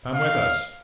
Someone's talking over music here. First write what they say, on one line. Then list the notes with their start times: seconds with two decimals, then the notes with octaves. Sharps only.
"Come with us!"
0.14 F5